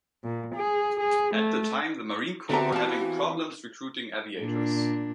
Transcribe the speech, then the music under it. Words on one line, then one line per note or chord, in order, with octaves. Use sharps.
At the time, the Marine Corps were having problems recruiting aviators.
A#2
G#4
G#4
A3
D3 B3 C4 F#4 G4 D5 E5 A#5
E3 F5 A5
A#2 D4